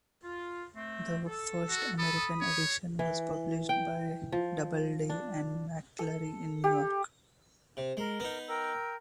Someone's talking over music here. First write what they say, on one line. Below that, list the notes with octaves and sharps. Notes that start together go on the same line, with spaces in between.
The first American edition was published by Doubleday and McClure in New York.
F4
A3 C4
A4
F#4
A4 B5 D#6
C#5
E3
G5
F3
D4
A4
G4
C3
G#3 A#4
B3 D#4
A#4 G5 E6